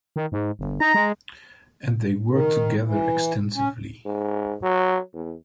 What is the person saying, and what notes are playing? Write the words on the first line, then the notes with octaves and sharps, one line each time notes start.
And they worked together extensively.
D#3
G#2
G1
D#4 A#5
G#3
D#3
E3
C#4
G#2
F#3
E2